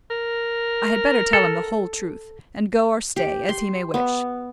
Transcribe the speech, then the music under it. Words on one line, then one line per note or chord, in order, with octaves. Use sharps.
I had better tell him the whole truth, and go or stay, as he may wish.
A#4
A4
G4
C6
B3